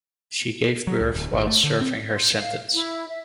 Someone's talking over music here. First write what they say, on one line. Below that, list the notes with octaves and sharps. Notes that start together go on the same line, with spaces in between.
She gave birth while serving her sentence.
F#3
C#2
D1
G1
A3
D3
C4
C5
F5
E4
E5